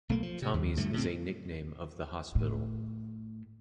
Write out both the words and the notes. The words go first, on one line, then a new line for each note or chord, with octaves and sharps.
Tommy's is a nickname of the hospital.
B1 A3 A#3
F3
C3
D#2
G2 D3 A3
A2 C#3 C4
A2